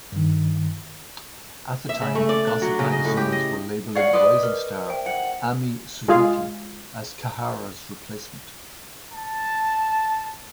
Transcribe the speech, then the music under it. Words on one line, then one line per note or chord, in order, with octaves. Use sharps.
At that time, gossip magazines were labeling rising-star, Ami Suzuki, as Kahara's replacement.
G2 D#3
E5
C#3
A3
D5
D4
F#3
C#3
D#5
A2
G4
D#5
C#5 D5 F5 F#5
B4 D5 D#5 C6
A#4
C5 E5 G5
F#5
G#3 F4 G#4 F5
A5